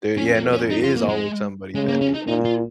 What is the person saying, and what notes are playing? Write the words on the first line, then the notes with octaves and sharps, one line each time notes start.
There yeah, no, there is always somebody better, yeah.
F2 C#4
A#3
C#4
D#4
F4
A#3
G#3
C#3 G#3
A#3
C#4
D#4
A#2 D#4
F4